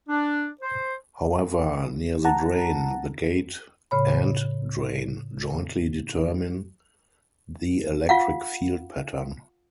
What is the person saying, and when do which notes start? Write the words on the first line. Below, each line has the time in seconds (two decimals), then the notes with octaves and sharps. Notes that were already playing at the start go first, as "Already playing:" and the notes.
However, near the drain, the gate "and drain" jointly determine the electric field pattern.
0.08 D4
0.62 C5
2.25 F#5 A5 A#5
3.91 A2 C#3 C#5 B5
8.09 F4 F5 F#5